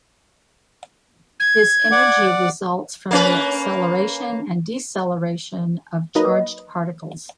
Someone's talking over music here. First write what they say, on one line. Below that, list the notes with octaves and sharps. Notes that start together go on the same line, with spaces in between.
This energy results from the acceleration and deceleration of charged particles.
G#6
D5 F#5 D6
A#3 C#4 B4
F#3 A#3 D#4 B4 D#5